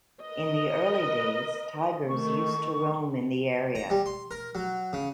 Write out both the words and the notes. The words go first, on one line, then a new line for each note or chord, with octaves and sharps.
In the early days, tigers used to roam in the area.
A#4 B4 D#5
D#3 A3 C#6
A#5
G3
C6
A#4
F#3
C#3